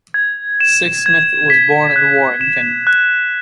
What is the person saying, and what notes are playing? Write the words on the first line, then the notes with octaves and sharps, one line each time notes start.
Sixsmith was born in Warrington.
G#6
E7
G#6
B6
F#6
E7
F#6